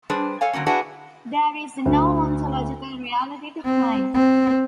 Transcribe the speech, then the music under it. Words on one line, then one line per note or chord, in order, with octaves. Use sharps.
There is no ontological reality to crime.
G3 D4 G#4 B4 C5
A4 C#5 F5 G#5
D3 F#3 A#3 C#4
B3 D4 E4 F#4 G#4 B4
D2
C4
C4